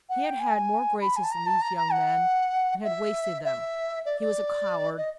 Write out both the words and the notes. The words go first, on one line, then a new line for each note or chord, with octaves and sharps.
He had had more graces than these young men, and had wasted them; he was a coward.
F#5
G5
G#5
B5
G#5
A5
A#5
A5
A#5
A#5
F#5
E5
E5
D5
D5
D#5